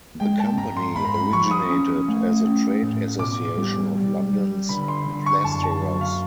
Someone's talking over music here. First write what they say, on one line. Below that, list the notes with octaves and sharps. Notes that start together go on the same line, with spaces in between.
The Company originated as a trade association of London's plasterers.
G#3 G5
A5
G#2 A#5
C6
G#2 B5
A#5
B5
F3 C#6
D#6
C#4
A3
C#4
A2
B2 D6
G3
G3
G3
D3 B5
C6
D3
C#6
F#2 A5
A5
F#3
F5